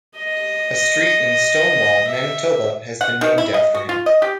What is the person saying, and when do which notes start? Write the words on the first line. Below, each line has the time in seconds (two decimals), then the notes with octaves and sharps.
A street in Stonewall, Manitoba has been named after him.
0.17 D#5
2.08 E5
3.01 F#5
3.21 D#3
3.38 E4
3.54 D#5
3.75 F#4
3.89 F4
4.06 D#5
4.22 G4